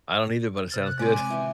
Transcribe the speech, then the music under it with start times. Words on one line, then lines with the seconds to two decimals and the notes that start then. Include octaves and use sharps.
I don't either, but it sounds good.
0.70 C3 F6 A6
0.85 F#6
0.99 G#3 C4 D5 G#5
1.30 D#3 E3